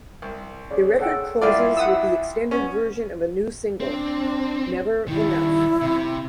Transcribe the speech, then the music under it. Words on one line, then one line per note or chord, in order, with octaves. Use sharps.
The record closes with the extended version of a new single, "Never Enough".
C2
C#3 D5
A4 F#5 G5
C2 E4 F4 D5
F#5 D#6 E6
B3 C#4
C4 D4
D#3 G3 E4
C3